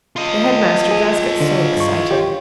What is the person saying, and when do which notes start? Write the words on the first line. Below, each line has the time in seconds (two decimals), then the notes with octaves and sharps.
The headmaster does get so excited.
0.16 F4 D#5
0.91 G#4
1.41 D3
1.77 G2 C#6
2.11 G4 C#5 G5